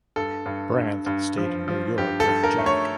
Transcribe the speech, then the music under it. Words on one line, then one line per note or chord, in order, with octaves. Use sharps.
Brandt stayed in New York with Jack.
G2 A4
G2
G2
G2
F3
F3
G2 G4
A4
G2
A#4
A3
C#5